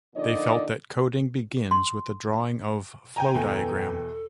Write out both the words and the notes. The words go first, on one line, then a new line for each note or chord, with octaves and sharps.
They felt that coding begins with the drawing of flow diagram.
A#2 D3 F3 D#4 D5 D#5
C6
G5 G#5 A#5
E2 B2 A4